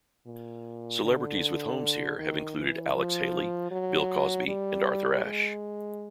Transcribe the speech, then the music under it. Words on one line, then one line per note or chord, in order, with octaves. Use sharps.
Celebrities with homes here have included Alex Haley, Bill Cosby, and Arthur Ashe.
A#2
D3
D#3
E3
F3
F#3
G3
G#3